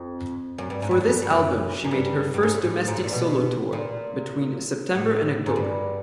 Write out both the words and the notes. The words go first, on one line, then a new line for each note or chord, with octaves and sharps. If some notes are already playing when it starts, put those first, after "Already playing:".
For this album she made her first domestic solo tour between September and October.
Already playing: F2
F#2
G2
G#2
G2
F#2
G2
F#2
F#2
G2
G2
G#2
A2
G#2
A2
A#2
B2
A#2
A2
G#2
G2